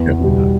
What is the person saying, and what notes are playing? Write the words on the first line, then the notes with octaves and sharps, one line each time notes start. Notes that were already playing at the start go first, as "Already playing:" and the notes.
definitely not.
Already playing: E2
B2 G3